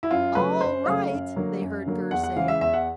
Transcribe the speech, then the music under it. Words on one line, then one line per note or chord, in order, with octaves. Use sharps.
"All right!" they heard Gurr say.
E4
F#2 F4
C#3 F#3 A3 B4
F#2 C5
C#3 F#3 A3 F5
F#2
D3 F#3 A#3
F#2
D3 F#3 A#3
E2 F#5
F#5
C#3 E3 G#3 F5
E5
E2 E5
F#5